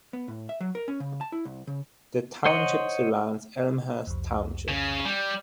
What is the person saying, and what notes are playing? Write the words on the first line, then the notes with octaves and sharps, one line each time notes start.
The township surrounds Elmhurst Township.
B3
A2
E5
F#3
A#4
C#4
C#3
A5
E4
C2
C#3
C5 C#5 D#5 F#5 C6
C2 F2
C#3
G3